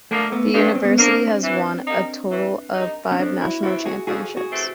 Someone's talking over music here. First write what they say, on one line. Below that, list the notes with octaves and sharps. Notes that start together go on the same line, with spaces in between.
The university has won a total of five national championships.
D3 F3 A3 A#3
A3 B3
G2 D4
C#4
C4
B3 C#4
D3 F3 A#3 C4 D4
E3
G3 A#3 D#4
E3
G3 A#3 D#4
C#4
F2 C4 D4
E4 F#4
C3 E3 A3 C4 E4 F#4
F#4 G#4
F2 F#4 G#4
F#4 G#4
C3 E3 A3 C4